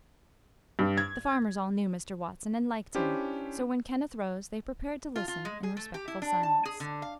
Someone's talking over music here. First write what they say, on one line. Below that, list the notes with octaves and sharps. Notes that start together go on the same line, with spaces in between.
The farmers all knew Mr. Watson, and liked him; so when Kenneth rose they prepared to listen in respectful silence.
G2
G#6
C#4 D4 E4 G4 C5
F4
F4
G#3
G#4
A3
G4
E4
D4
A5
G#4
D3
F5